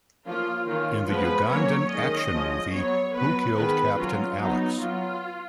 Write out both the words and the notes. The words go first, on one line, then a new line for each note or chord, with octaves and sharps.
In the Ugandan action movie Who Killed Captain Alex?
F3 A#3 C#4 F4
D#3 A#3 C#4 F4
F3 G#3 B3 B4
F#3 A#3 C#4 C#5
D#3 G#3 C#4 D#5
F3 G#3 C#4
F#3 B3 C#5
F#3 B3 B4
D#3 G#3 B3 B4
F#3 C#4 F4
F#3 B3 D#4
F#3 B3 F4